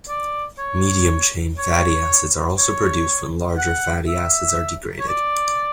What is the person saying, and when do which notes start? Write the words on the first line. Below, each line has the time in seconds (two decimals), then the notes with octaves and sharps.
Medium-chain fatty acids are also produced when larger fatty acids are degraded.
0.08 D5
0.58 C#5
1.58 C#5
2.58 C#5
3.58 F#5
4.08 E5
5.00 C#5
5.08 D5